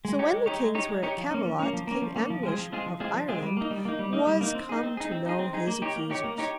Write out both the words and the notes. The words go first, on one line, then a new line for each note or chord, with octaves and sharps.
So when the kings were at Camelot King Anguish of Ireland was come to know his accusers.
G#3
D#4 G4 C#5
G#3
D#4 G4 C#5
G#3
D#4 G4 C#5
G#3
D#4 G4 C#5
F3
A#3 C#4
F3
A#3 C#4
F3
A#3 C#4
F3
A#3 C#4
F3
G#3 C4 F4 G#4
F3
G#3 C4 F4 G#4
F3
G#3 C4 F4 G#4
F3
G#3 C4 F4 G#4
G3
A#3 D#4
G3
A#3 D#4
G3
A#3 D#4
G3
A#3 D#4
C4
D#4 G#4
C4
D#4 G#4
C4
D#4 G#4
C4
D#4 G#4
A#3
D#4 G4 C#5
A#3
D#4 G4 C#5
A#3
D#4 G4 C#5